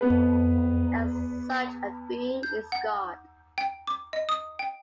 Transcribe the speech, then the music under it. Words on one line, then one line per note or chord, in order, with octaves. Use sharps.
And such a being is God.
B3 B4
G6
F#5
G5
D6
D#5
D#6
G5